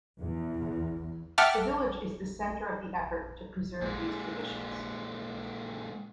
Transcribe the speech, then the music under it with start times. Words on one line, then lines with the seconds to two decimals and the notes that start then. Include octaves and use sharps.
The village is the center of the effort to preserve these traditions.
0.21 E2
1.38 E5 F#5 G5 A5 D6 F6
3.81 A#2 G#3